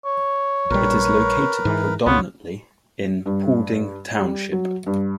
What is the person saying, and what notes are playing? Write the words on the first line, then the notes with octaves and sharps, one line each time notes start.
It is located predominantly in Paulding Township.
C#5
A#1 G3 A#4 B4
G#2 E3
C#2 B3 F4 C#5
G2
G3
F#3
G2